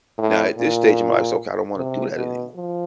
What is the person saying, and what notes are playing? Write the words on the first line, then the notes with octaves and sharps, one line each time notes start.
now at this stage, I'm like, "So, okay, I don't wanna do that anymore."
A2
A#2
C3
B2
F3